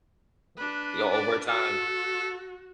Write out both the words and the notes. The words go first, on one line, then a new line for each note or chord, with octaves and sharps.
Right, yeah, over time.
D4 B4
D5
F#4 A4